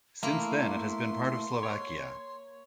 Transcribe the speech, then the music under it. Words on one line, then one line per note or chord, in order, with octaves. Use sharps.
Since then it has been part of Slovakia.
A3 A#3 E4 C6
C#5